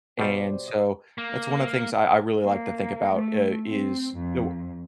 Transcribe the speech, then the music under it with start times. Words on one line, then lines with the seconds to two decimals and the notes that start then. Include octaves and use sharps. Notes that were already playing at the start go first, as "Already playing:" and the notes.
And so, that's one of the things I I really like to think about, uh, is the
0.19 B2 G3 G4 C5 D5
0.67 D#5
1.18 A#3
2.45 A#3
3.14 A3
3.66 C4
4.14 F2